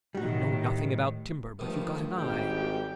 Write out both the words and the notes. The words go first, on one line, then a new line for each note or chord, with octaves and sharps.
You know nothing about timber, but you've got an eye.
A2 D#3 G3 F#4
G2 D#3 F3 G3 A3
G#1 G3 G4 G5